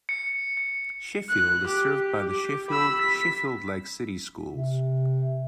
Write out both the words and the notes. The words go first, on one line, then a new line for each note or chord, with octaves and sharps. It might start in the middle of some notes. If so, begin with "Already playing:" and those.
Sheffield is served by the Sheffield-Sheffield Lake City Schools.
C#7
C#7
F#6
G4
G4
B5 E6
B6
C3